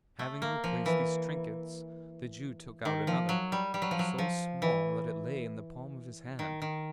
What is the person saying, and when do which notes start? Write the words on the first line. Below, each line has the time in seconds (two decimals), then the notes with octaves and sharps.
Having replaced these trinkets, the Jew took out another: so small that it lay in the palm of his hand.
0.19 A3
0.42 A#3
0.64 F3
0.86 E3
2.85 D#3
3.07 F3
3.29 F#3
3.52 G3
3.74 G3
3.82 F#3
3.91 F3
3.99 F#3
4.18 F3
4.62 E3
6.39 D#3
6.62 D#3